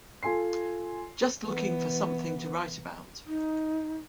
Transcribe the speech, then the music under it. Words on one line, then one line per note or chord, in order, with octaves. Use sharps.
Just looking for something to write about.
F4 A4 G#5 C6 C7
E3 B3
D#4